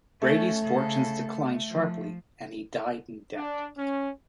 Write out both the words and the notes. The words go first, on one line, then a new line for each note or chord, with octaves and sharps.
Brady's fortunes declined sharply, and he died in debt.
A3 C#4 A4
C#3 A4
F3
D4
C#4